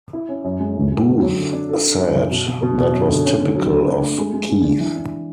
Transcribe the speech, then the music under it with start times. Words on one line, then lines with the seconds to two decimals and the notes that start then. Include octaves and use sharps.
Booth said That was typical of Keith.
0.13 E4
0.29 C#4
0.44 F#2
0.60 G#3
0.75 A2
0.91 G#3
1.07 D3
1.22 F#3
1.38 D3
1.53 D4
1.69 A4
1.84 A4
2.00 F#2
2.16 E3
2.31 B2
2.47 B2
2.62 B2
2.78 B2
2.93 F#2
3.09 D3
3.25 C#4
3.40 D3
3.55 F#3
3.71 D3
3.87 D4
4.02 A3
4.18 G#3
4.33 G#3
4.49 G#3
4.65 D4
4.80 E3
4.96 D4